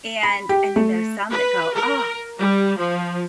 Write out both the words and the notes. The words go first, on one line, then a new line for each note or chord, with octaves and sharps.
and and then there's some that go, "Oh,
B5
G4
A3
B4
A#4
G3
F3